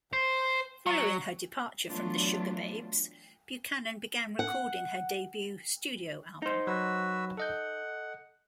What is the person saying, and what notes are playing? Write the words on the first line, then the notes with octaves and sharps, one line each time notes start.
Following her departure from the Sugababes, Buchanan began recording her debut studio album.
C5
F#3
E3 F#3 A3 B3 D4 F4
F#5
D#4 C5
F#3 F#4 B4 E6
A4 D#5 F#5 G6